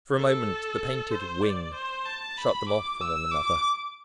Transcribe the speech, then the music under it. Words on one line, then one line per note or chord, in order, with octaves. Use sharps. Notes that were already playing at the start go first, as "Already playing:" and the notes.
For a moment the painted "wing" shut them off from one another.
A4
C5
D5
C5
A5
B5
D6
E6
D6